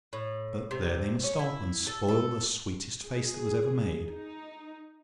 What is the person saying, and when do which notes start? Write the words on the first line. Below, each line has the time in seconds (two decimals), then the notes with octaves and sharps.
But there they must stop, and spoil the sweetest face that was ever made.
0.13 A2
0.71 C3
1.23 C#4
1.39 E4
1.87 A4
2.08 A4
3.05 G#4
4.08 D#4